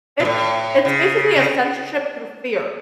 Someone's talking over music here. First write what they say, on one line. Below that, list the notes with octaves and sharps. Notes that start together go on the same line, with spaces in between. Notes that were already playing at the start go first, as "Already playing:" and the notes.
It's It's basically a censorship through fear.
B2
A2
C#3
C#3